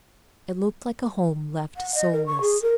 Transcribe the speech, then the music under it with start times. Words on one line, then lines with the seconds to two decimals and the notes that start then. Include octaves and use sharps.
It looked like a home left soulless.
1.77 F#5
1.95 D#5
2.13 A#4
2.26 C#6
2.41 G#4
2.62 A#4